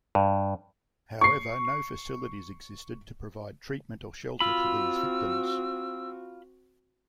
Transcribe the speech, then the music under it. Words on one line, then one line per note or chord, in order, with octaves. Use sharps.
However, no facilities existed to provide treatment or shelter to these victims.
G2
C#6 C7
C4 F4 F#4 B5 E6